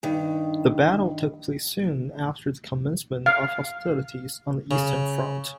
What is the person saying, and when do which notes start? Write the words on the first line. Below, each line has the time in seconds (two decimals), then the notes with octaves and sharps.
The battle took place soon after the commencement of hostilities on the Eastern Front.
0.03 G2 D#3
3.26 F5
4.71 C#3